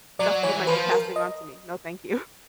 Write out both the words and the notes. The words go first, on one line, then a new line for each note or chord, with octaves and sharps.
stuff you might be passing on to me. No, thank you."
F#3 D5
E3 C#5
F3 B4
A#4
D#5